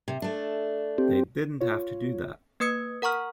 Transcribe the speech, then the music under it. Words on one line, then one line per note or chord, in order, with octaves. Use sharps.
They didn't have to do that.
C3
A3 D4
C4 G4
F4 C#5
A#3 B4 D#6 G#6 C#7
A#4 F#5 A#5 C#6 F6